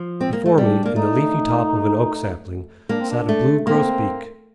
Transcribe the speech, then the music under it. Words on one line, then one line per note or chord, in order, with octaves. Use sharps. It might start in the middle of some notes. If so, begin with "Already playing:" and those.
Before me, in the leafy top of an oak sapling, sat a blue grosbeak.
Already playing: F3
C4
A#3
A3
G3 D4
A#3
A3 D#4
A#3 D4
C4
D4
A3
A#3 C4